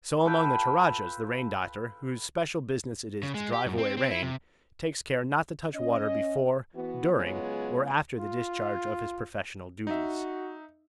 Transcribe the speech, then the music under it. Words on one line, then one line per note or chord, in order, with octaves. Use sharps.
So among the Toradjas the rain-doctor, whose special business it is to drive away rain, takes care not to touch water before, during, or after the discharge of his professional duties.
F4 A4 B4 G5
C#3
G#3
G4
F#2
C4
C4
E4
C3
C#4 D#5
E3 B3 F#4
C#3 F#3 G#3 B3 F4 C#5
F4
D#4 F#4 E5